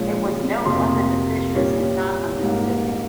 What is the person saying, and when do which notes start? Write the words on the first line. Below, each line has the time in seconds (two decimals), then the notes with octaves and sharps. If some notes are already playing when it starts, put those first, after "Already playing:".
It was no wonder the fishers had not understood me.
Already playing: A#2 F3 G#3 C#4
0.65 F2 C3 F3 A#3 C6
1.54 A#2 G3 C#4
2.41 G#2 G3 A#3